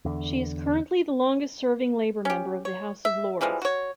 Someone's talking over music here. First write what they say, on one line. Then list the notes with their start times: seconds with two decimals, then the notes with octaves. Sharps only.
She is currently the longest serving Labour member of the House of Lords.
0.05 E2 D3
2.25 C#4 G4
2.65 C#5
3.05 E5
3.41 E3 F3 G3 G#3
3.62 F#4 C#5